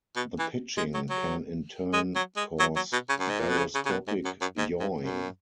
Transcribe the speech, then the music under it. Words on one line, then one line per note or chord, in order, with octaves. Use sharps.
The pitching can in turn cause gyroscopic yawing.
B2
E3
G#3
F#3
F#3
G#3
F#3
G#3
F#3
F#3
B2
C#3
F#2
G#2
A#2
B2
C#3
C#3
C#3
B2
G#2
F#2
F#2
G#2
G#2
F#2